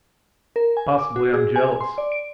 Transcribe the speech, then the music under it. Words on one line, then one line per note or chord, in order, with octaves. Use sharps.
Possibly I am jealous.
A#4
G#5
D6
F#4
G#4
G#5
C6
D5
D7